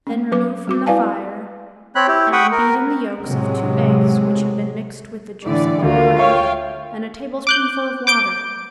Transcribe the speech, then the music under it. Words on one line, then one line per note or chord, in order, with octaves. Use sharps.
Then remove from the fire and beat in the yolks of two eggs which have been mixed with the juice of a lime and a tablespoonful of water.
A3 C#4
F#3 B4 D6
G3 F#4 D6
E4 B4 D5 F5 G#5 A5
C4 C#5 B5 F#6
E4 G4
F#5 G5 B5 C#6 D#6
A#4
A2 C3 F#3 G#3
A2 D3 E3 D5
D2 F4 F#4 A#4
C#5 E5 F5 G5 C#6
D6 F#6 G6
D6 G6 D7